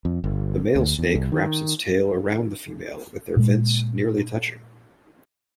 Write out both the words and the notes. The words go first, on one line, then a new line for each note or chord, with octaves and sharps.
The male snake wraps its tail around the female with their vents nearly touching.
F2
G1
D2
E2
C2
D#3
A#2 G#3